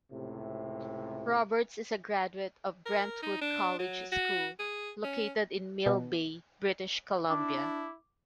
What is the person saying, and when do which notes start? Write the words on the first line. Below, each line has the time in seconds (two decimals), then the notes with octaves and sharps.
Roberts is a graduate of Brentwood College School, located in Mill Bay, British Columbia.
0.12 C#2 A2 C3
2.85 A#4
3.22 D#4
3.41 D4
3.79 F#3
4.12 F#4
4.59 G#4
5.04 C#4
5.86 B2
7.30 D4 E4 D6